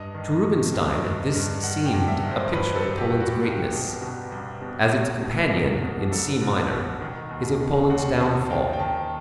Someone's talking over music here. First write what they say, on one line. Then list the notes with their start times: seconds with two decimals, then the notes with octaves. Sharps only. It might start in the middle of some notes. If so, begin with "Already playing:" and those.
To Rubinstein this seemed a picture of Poland's greatness, as its companion in C minor is of Poland's downfall.
Already playing: G2 D#5
0.14 D#3
0.45 D#3
0.74 D#3
1.04 G2
1.34 G2
1.63 D#3 F#5
1.86 G5
1.94 G2
2.08 E5
2.23 D#3
2.31 C5
2.53 G2 B4
2.76 A4
2.82 G2
2.94 F#4
2.98 G4
3.13 G2
3.20 F#4
3.42 C2 G4
3.73 B2
4.02 B2
4.32 C2
4.62 B2
4.92 C2
5.21 B2
5.52 C2
5.81 B2
6.11 C2 A4
6.42 C2
6.71 B2
7.01 D#3
7.31 D#2
7.60 D#3
7.90 D#2 F#5
8.19 D#3 A5
8.50 D#3 G5
8.73 G5
8.79 D#3 A5